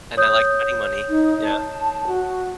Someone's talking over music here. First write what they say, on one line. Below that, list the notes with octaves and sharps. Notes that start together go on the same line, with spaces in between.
And I like spending money. Yeah.
C#5 D#6 G6
D#4
A5
F#4